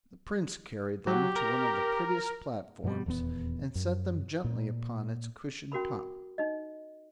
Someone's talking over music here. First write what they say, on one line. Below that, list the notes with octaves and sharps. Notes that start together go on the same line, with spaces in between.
The Prince carried them to one of the prettiest platforms and set them gently upon its cushioned top.
F#3 G4
A#4
G2 B2 D3 G3
D#1 E2 F#3 B3
F#2
A#2
C#4 F#4 A#4 B5
D#4 D#5